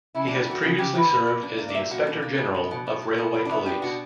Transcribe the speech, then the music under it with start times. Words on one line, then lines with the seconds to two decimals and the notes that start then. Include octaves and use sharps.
He has previously served as the Inspector General of Railway Police.
0.15 C#3 E4
0.27 G3 D4
0.47 E3 F#4
0.63 C#3 F#4
0.78 C#3 G4
0.94 E3 B4
1.11 A#2
1.27 A#2
1.43 D4
1.58 A#3
1.69 D5
1.74 A#2 E5
1.91 A#2 F#4
2.07 B2 D4
2.22 A#3
2.38 B2
2.54 B2
2.71 B2
2.87 B2
3.02 F#3
3.18 B2
3.34 B3
3.45 D4
3.50 B3 E4
3.66 D4 G4
3.82 B2 F#4